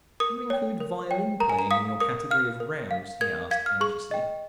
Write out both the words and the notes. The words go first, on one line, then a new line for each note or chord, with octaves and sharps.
"Do you include violin-playing in your category of rows?" he asked, anxiously.
A#4 D#6
C#5 G5
A#4
C#5 G5
A#4 A#5
G#5
A#5
F5 D#6
A#4 D#6
F5 F6
A#4
F5
A#4 G#6
F5 G#6
F6
G#4 C#6
D#5 G5